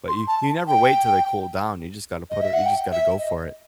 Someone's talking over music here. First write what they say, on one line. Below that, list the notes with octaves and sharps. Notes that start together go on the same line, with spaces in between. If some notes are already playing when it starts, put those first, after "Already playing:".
but you you never wait till they cool down, you just gotta put it you just gotta go for it.
C6
A5
G5
D#5
E5
F#5
G5
E5
D#5